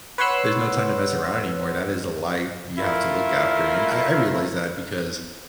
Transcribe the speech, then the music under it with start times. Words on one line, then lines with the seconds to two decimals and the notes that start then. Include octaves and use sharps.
there's no time to mess around anymore, that is a life you have to look after, and I I realize that because
0.18 B4 C#5 F#5 C6 E6 F#6
2.79 A3 E4 F4 A#4